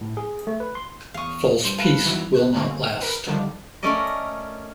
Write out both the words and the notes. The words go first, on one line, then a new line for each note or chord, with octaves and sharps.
False peace will not last.
A2
G#4
A3
B4
C6
E2 F5 C#6 D#6
G2 C5
B4 F5 A5
E2 E3 F#3
B2 F#6
G2 D3 A#3 C4 C#4
A#4 B4 D7
D3 D#3 F3 G3 D4
A3 C#4 A#4 D5 D#5